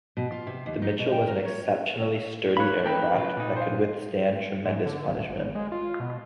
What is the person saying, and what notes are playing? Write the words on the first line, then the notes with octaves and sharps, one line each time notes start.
The Mitchell was an exceptionally sturdy aircraft that could withstand tremendous punishment.
B2
F4
C3
D#2
D#4
B2
G5
A#4
C#5
C#5 F5 B5 F#6
E3 A3 D#4 B4 G5
C#3 F#3 F4
A#2 D#4
C5 F5
G#2
D3
D1
G#1
G#3
F4
B2